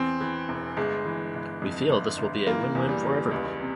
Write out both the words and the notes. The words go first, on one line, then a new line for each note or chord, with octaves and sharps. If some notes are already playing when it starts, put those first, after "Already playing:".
We feel this will be a Win Win for everyone.
Already playing: E2 C4
E3
E1
G1 G#3
E3
G1
F2
G1
G1
E3 A#3
E2
G3
E2
C#2
C3